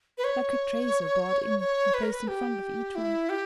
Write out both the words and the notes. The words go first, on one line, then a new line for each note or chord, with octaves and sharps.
Lacquered trays were brought in and placed in front of each one.
B4
C#5
C#5
B4
A#4
B4
G4
E4
G4